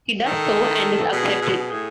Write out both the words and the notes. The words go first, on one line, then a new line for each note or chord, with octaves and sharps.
He does so and is accepted.
D#3 A4
B2 G#4
B2
G#4
A2